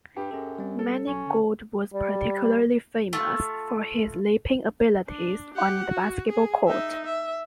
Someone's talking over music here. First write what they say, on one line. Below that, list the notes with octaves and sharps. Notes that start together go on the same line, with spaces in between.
Manigault was particularly famous for his leaping abilities on the basketball court.
G2 G4
F#2 C#4 G#4 A4
G3 C4
A4
B1 F#3 C#4
D3
G3 D5
A3 F4
D4
G4 F#5
F#4
G#4
D#4 E5
E5